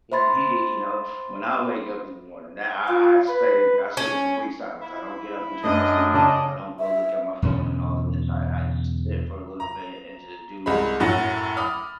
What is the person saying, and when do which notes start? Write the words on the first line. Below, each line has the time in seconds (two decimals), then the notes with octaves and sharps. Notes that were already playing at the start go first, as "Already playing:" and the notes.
Y y you know, when I wake up in the morning that I I stay I sit in complete silence. I don't get up and turn the TV on, I don't go look at my phone and all this. I I sit for a little bit and just do
0.12 C5 E5 B5 C6 A6
2.88 F4
3.28 B4
3.97 C#4
4.81 E4
5.64 F#2 A3 D4 D#5
6.13 C#3 D5 D#5 A5
6.80 E5
7.42 E2 B2 D3 C#4
9.60 A#5
10.66 C2 G#3 B5
11.00 F#2 A2 F#5 A6 A#6
11.57 B5 D6 D#6 F6